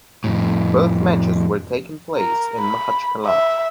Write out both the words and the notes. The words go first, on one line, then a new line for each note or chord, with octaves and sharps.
Both matches were taken place in Makhachkala.
F2 A2
A#4
B5
E5